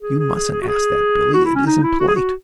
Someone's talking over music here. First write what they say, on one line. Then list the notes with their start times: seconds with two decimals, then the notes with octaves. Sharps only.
"You mustn't ask that, Billie; it isn't polite!"
0.01 G#4
0.19 G#4
0.34 G#4
0.51 G#4
0.62 F#4
0.68 G#4
1.34 F#4
1.45 E4
1.55 C#4
1.66 D#4
1.83 E4
2.00 F#4
2.08 G#4
2.15 F#4